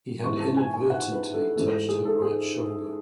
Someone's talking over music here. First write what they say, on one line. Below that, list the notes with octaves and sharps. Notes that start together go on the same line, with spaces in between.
He had inadvertently touched her right shoulder.
G#2 E3 B3 C#6
A5
G#5
G#5
F#5
B4
A4
G#2 E3 A3 A4
G#4
A4
G#4